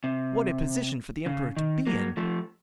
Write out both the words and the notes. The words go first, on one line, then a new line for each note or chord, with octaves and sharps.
What a position for the Emperor to be in!
C3
C#3
D#3
F#3 A#3
F3 A3